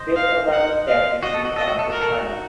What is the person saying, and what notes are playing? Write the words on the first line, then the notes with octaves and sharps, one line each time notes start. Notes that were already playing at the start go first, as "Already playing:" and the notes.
This allowed the statue to be cast in China.
Already playing: C5 D#5
F5
F#5
F5
F#4 D#5
A4
F#4
A4 D#5
F#4
A4
F#4 A#4
A4
D#4 F#4